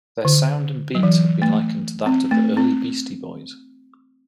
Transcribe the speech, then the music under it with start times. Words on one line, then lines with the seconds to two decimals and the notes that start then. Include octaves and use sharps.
Their sound and beats have been likened to that of the early Beastie Boys.
0.25 D3
0.95 F#3
1.03 E3
1.42 A3
2.06 C4
2.31 A3
2.57 C4